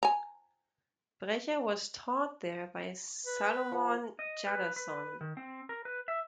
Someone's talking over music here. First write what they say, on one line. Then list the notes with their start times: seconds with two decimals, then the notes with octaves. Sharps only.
Brecher was taught there by Salomon Jadassohn.
0.03 G#5 A#5
3.26 B4
3.72 F3 F#5
4.19 D#5
4.47 B4
4.76 B4
5.21 D#3
5.37 C4
5.69 A#4
5.85 B4
6.08 E5